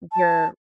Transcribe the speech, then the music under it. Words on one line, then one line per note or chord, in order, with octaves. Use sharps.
n you're
A5